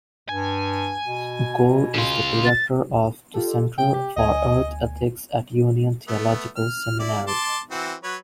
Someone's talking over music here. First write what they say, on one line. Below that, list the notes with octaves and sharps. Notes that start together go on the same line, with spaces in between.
Gore is the director of the Center for Earth Ethics at Union Theological Seminary.
G2 G#5
B2
C#3 F4
A6
F4 G4 A4
C3 G5
G4
D2 D#5 G#5
A3 B3
F6
E4 D5
A5 C6 D6
E3 C4 F#4
F#3 B4 C#5